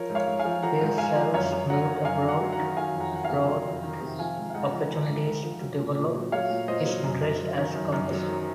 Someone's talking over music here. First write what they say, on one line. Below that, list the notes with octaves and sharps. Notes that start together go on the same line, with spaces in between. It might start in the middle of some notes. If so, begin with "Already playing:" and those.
Pearsall's move abroad brought opportunities to develop his interests as a composer.
Already playing: F3 A#4 C#5
G#2
C#5 F5
G#2
F5 G#5
F3
F3 F#5 A#5
G#2
G#2 F5 G#5
F3
F#2 C#5 F5
F#2
F#3 F#5 A#5
D#3
F#2 F5 G#5
F#2
F#5 A#5
F#3
F#5 A#5
D#3
F#3 F5 G#5
F2
F#5 A#5
D#3 F#5
F5 G#5
C3
F#3
F2
D#3
C3
F3 F5 G#5
G#2
F5
G#2 D#5 F#5
F3
F3
G#2
G#2
F3
F#3
A#2
A#2
F#3
F#3 C#5 F5
A#2
A#2 C5 D#5
F#3
F#2
F#2
F#3
D#3
F#2
F#2
F#3
D#3